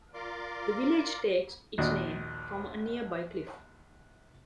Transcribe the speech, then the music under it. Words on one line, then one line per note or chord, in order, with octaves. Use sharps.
The village takes its name from a nearby cliff.
F4 A#4 D5 C6 D6
A#1 D#2 F#4 D5 D#5 F#6